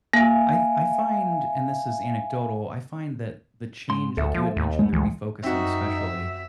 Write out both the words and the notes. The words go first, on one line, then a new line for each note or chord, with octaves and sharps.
I f I find and this is anecdotal, I find that the change, like you had mentioned, the refocusing, especially,
A#3 E5 F5 G#5
G#2 C6
D2 A4 E5
F3
D#2
G#3 A3 B3
D2 E3 G#3
F#2 C4 D#4 F#4 E5